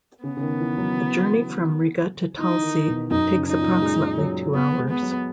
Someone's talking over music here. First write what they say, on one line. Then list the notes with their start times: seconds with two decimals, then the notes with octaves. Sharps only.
A journey from Riga to Talsi takes approximately two hours.
0.24 C#3 B3
0.37 C#3
0.41 D#3
0.60 E3
0.78 F#3
2.39 E3 D#4
2.63 D#3
2.87 B2
3.10 F#2 D#4
3.35 C#3
3.47 D#4
3.58 A#2
3.82 G#3
4.18 F#3
4.54 B3
4.78 G#3
4.89 B3
5.02 F#3